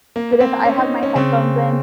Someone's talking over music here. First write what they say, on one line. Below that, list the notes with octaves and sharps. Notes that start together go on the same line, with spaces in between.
that if I have my headphones in,
A#3
A#3
C4
C#4
D#4
C#4
C#3 C4